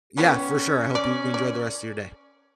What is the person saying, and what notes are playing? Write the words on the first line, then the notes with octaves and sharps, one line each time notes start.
Yeah, for sure. I hope you enjoy the rest of your day.
D3 G3 B3 C#4
D5
D5